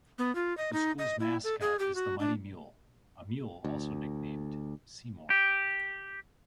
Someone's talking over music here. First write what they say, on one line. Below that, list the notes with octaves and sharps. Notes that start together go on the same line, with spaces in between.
The school's mascot is the "Mighty Mule", a mule also nicknamed "Seymour".
B3
F4
D#5
D#4
D#5
E4
A4
G#4
G4
F#4
D4
D2
G4